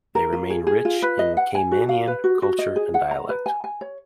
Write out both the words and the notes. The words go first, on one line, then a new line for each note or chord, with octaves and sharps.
They remain rich in Caymanian culture and dialect.
A#4
F4
G#4
G#4
F4
B4
D#5
F#5
G#5
F#4
F5
B4
F#4
F#4
D#5
G#4
F#5
A#5
B4
G#5
G#5
C#5